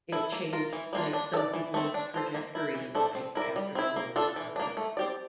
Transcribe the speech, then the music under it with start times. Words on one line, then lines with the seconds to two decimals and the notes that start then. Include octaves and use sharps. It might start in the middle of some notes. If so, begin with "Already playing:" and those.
it changed, like, some people's trajectory in life after the war was done
0.12 E4 A4
0.32 A#3
0.53 F4 A#4
0.73 E3
0.93 G3 A#3 D4 F4
1.13 D4
1.34 A4
1.37 D5
1.53 E3
1.74 A3 C4
1.94 D4
2.14 F4 A4 C5
2.34 A#3
2.55 E4 A#4
2.75 E3
2.95 A3 D4 A4 C5
3.15 C4
3.35 E4 A#4 D5
3.56 G3
3.75 C4 E4
3.96 A#3
4.16 D4 F4 A4
4.36 E3
4.56 A#3 D4
4.77 A3
4.97 C4 G4 D5